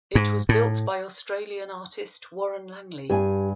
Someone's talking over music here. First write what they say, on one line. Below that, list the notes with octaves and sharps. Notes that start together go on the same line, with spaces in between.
It was built by Australian artist Warren Langley.
G#2
A2
G2 G4 G#5